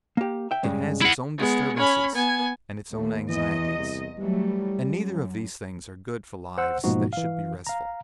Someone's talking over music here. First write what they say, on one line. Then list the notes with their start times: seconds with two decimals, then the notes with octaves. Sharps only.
It has its own disturbances and its own anxieties, and neither of these things are good for lives that should be restful.
0.17 A#3 G4
0.51 E5 G5
0.63 G2 C#3 G#3
1.01 E4 F#5
1.38 G#3 B3
1.77 C#4 B5
2.15 B3 G#5
2.92 D#2 A3
3.29 E2 E3 D#5
3.78 C2
4.18 E3 F#3 G3 A3
4.82 F#2
6.58 C5 F#5 E6
6.84 G#2 B2 F3 A#3 D#4 F#4
7.13 E3 F5
7.67 F5 A#5